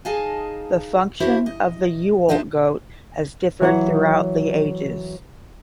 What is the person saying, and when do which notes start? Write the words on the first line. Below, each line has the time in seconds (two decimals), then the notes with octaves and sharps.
The function of the Yule goat has differed throughout the ages.
0.05 D#4 G#4 D#5 F5 G#5 A5
1.20 D4 E4 F#4 G4 C5
1.46 D#5
2.29 D4 D#4 F4 C5 D#5 E5
3.61 E3 F#3 C#5 F5 F#5